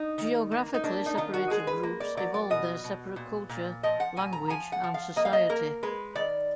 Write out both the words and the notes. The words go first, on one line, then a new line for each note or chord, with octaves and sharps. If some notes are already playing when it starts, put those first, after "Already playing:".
Geographically separated groups evolved their separate culture, language and society.
Already playing: D#4
D#3
A#3
D#4
A#3 D4
D#4
D#3 F4
F#4
G#3 G#4
B4
A#3
D5
F#3 D5
D5
B2 D#5
B2
A#2
A#2
F3 D#5
F#5
A#2 G#5
A#5
F3 G#5
F#5
F3
F5
A#3 D#5
F5
D#5
A#3 A#4
G#3 B4
D#3 D5